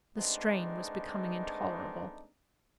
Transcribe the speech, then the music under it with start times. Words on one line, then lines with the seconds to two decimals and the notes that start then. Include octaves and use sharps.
The strain was becoming intolerable.
0.17 G#3 A3 B3 C4 D4 D#4